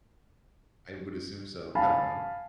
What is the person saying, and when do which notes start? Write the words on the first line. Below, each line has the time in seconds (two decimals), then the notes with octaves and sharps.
I would assume so, I don't know.
1.75 F5 G#5 A5 B5